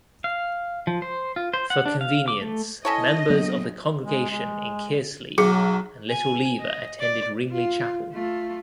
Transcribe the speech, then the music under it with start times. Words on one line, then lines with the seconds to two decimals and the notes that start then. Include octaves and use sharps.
For convenience, members of the congregation in Kearsley and Little Lever attended Ringley Chapel.
0.24 F5
0.87 F3
1.02 C5
1.36 F4
1.54 C5
1.70 F#5
1.86 D4
2.01 F5
2.28 D6
2.41 A3
2.85 C#4 E4 A4 C#5 D#5
3.30 D3 F#3 A#3 B3
4.00 G#3
4.30 G#3
5.38 B1 F#3 G#4
6.09 G#5
6.60 D#5
7.00 D5
7.52 F4
8.12 A3 F4